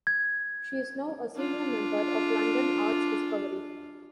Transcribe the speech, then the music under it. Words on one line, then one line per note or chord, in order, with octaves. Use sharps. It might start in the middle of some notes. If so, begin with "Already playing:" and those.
She is now a senior member of London Arts Discovery.
G#6
D4 F4